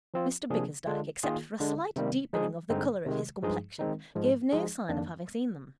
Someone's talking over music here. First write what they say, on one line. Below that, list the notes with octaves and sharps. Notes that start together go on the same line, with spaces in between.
Mr Bickersdyke, except for a slight deepening of the colour of his complexion, gave no sign of having seen them.
F3 C4 F4
C3 F3 A#3 D4 G#4
D3 G#3 D4 F4
D#3 A#3 F4 G#4
D3 G#3 D4
C3 D#3 G3 A#3
F3 G#3 D#4 G#4
G2 D3 G#3 C4 D#4
C3 D#3 G#3
G2 F3 G#3 D#4 G#4
D#3 G#3 C4 D#4
G#2 F3 G#3
F3 G#3 D#4 G#4
F2 D#3 A#3 D4